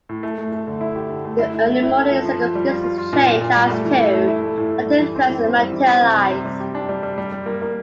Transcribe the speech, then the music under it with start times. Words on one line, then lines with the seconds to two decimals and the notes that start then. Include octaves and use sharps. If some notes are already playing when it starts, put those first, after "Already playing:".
In the early morning, circumstances changed as two latent threats materialized.
0.09 A2
0.23 A3
0.38 A3
0.52 A3
0.67 D3
0.81 E4
0.96 G4
1.10 D3
1.25 A3
1.39 E4
1.54 E4
1.68 E4
1.83 E4
1.97 A4
2.11 F3
2.25 F3
2.40 F3
2.55 G3
2.69 F4
2.83 F4
2.98 F4
3.13 A#2
3.26 A#2
3.41 A#2
3.57 G3
3.71 A3
3.85 E3
4.00 E4
4.13 A3
4.28 E4
4.42 A3
4.57 A2
4.72 A2
4.86 G3
5.00 E3
5.16 C4
5.29 E3
5.44 C4
5.58 G3
5.73 E3
5.87 C4
6.02 C3
6.17 G3
6.30 C3
6.45 G3
6.60 G4
6.75 D4
6.89 G3
7.03 G3
7.18 G3
7.32 G3
7.46 A#3
7.62 A#3